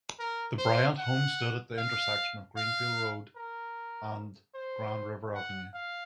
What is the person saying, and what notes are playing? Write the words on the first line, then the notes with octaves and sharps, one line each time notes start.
The Bryant home stood at the intersection of Greenfield Road and Grand River Avenue.
A#4
C5
F#5
F5
F5
A#4
C5
F#5
F5